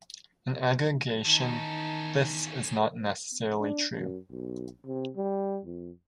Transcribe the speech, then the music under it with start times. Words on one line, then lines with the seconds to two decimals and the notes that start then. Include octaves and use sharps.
In aggregation, this is not necessarily true.
1.25 E2 D#3 C#4 D#4 A5
3.60 D4
3.94 F#2
4.31 B1
4.86 C3
5.16 G3
5.65 F2